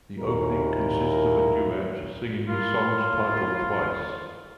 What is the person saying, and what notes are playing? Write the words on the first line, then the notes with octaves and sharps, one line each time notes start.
The opening consists of a duet singing the song's title twice.
D#2 A#2 E4 A#4
A#3 E4 F4